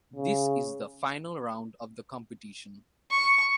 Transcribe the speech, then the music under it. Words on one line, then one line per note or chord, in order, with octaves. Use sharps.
This is the final round of the competition.
C#3
C#6